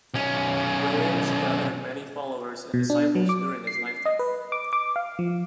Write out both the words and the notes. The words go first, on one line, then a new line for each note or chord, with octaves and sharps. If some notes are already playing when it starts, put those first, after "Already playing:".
Williams gathered many followers and disciples during his lifetime.
B1 C#4
B2
D4
F#3
D6
C7
D#5
B4
D6
D6
F5
F3